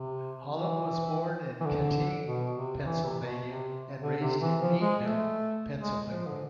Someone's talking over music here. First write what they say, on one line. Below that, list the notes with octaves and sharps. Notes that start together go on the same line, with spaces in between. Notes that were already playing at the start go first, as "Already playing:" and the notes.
Holland was born in Kittanning, Pennsylvania and raised in Meadville, Pennsylvania.
Already playing: C3
E3
E3
D3
B2
C3
E3
C3
B2
C3
D3
C3
E3
F3
G#3
A3
G#3
F3
D3